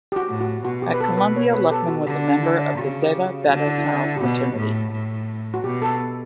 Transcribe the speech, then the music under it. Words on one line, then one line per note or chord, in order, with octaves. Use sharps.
At Columbia Luckman was a member of the Zeta Beta Tau fraternity.
G4
F#4
A2
F#4
B2 F#4
G4
B4
A4
B4
C#5
B4
G4
A4
F#4
D3 G4
E4
C#3 F#4
G4
F#4
D3 F#4
E4
E4
D4
E4
G4
B2 F#4
A2
A2
F#4
B2 G4
A4